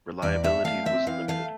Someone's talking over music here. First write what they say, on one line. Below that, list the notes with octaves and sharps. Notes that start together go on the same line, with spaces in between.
Reliability was limited.
E2 D5
A3 E5
A3 F5
C4 E5
E3 F5
A3 F5